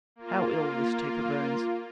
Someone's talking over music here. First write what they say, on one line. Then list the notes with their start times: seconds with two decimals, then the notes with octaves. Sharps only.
How ill this taper burns!
0.16 A#3 F4